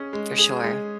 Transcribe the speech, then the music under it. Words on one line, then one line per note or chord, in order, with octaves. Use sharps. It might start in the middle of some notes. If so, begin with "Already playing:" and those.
For sure.
Already playing: C#4 G#4
G#3
G#4
G#3